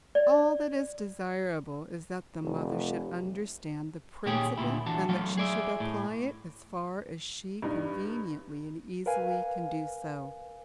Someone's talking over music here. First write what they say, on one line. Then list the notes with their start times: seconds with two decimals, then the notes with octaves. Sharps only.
All that is desirable is that the mother should understand the principle, and that she should apply it as far as she conveniently and easily can do so.
0.15 D5
2.42 F1
4.26 A#2 D#3 A#3 C#4 G4 G#4
4.58 D2 A#2 E4
4.86 E3 D4 F#4 A5
5.09 F#3 A3 A4 F5
5.37 G#4 D5 E5
5.80 A2
7.62 G2 G3 D#4
9.06 A#4 B4 F5 G#5